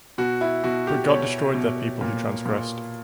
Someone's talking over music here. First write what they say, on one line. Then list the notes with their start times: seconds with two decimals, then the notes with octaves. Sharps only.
But God destroyed their people who transgressed.
0.18 B2 F#4
0.41 E4
0.64 B2 F#4
0.87 G4
1.09 B2 C#5
1.55 B2
2.01 A#2
2.46 A#2